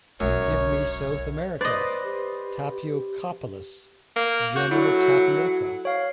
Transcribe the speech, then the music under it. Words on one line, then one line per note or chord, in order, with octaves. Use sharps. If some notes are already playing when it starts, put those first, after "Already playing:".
Give me South America... Tapiocapolis... General Tapioca!
E1 B1 F#2 C#5
B4 C5 D5 D#5
G4
A#3
F#4 G6
F#3 E4 F#4 A4
C#5 F5